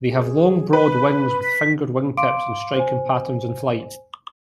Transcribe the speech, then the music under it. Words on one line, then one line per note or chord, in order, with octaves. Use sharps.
They have long broad wings with "fingered" wingtips, and striking patterns in flight.
G#4
B4 B5
B6
F5 C6 D6 D7
C5 G#5